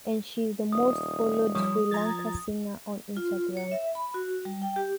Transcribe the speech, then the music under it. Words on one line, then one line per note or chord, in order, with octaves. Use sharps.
And she is the most followed Sri Lanka singer on Instagram.
D#1 D#6
F3 G3 C#5 D#6
F3 A#5 G#6 A6
F4
C#5
E5
B5
F#4
G3
G5
G4